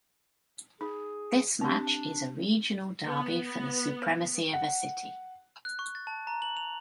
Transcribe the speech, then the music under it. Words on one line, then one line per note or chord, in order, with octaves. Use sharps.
This match is a regional derby for the supremacy of a city.
D#4 G#4
C4 D4 G4
B3
F#5
F#6
C#6
A6
A5
A#5
F#7
F7